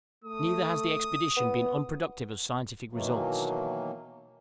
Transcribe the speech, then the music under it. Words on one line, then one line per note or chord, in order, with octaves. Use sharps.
Neither has the expedition been unproductive of scientific results.
A3 D#6
E2 B3
B2 D#3 E3 F#3 A#3